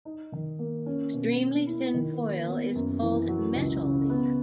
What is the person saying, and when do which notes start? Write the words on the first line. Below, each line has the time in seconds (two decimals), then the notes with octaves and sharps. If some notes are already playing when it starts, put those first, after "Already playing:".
Extremely thin foil is called metal leaf.
0.05 D#4
0.32 D#3
0.59 A#3
0.86 C#4
1.13 B2
1.40 A#3
1.67 E4
1.94 D#3
2.21 A#3
2.48 B3
2.75 F#2
3.02 E3
3.29 F#3
3.55 C#2
3.82 C#3
4.10 B3